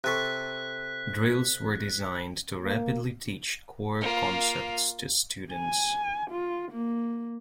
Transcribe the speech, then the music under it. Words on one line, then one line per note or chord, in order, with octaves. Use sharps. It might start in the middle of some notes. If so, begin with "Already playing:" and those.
Drills were designed to rapidly teach core concepts to students.
C3 A4 C#6 F#6 B6
A#3
A#3 F4
G#5
F4
A#3